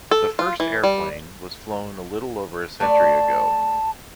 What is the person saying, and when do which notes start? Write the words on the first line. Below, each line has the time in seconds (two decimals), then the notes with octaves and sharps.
The first airplane was flown a little over a century ago.
0.11 A4
0.39 F4
0.60 E3
0.83 G3
2.80 A3 D5 A5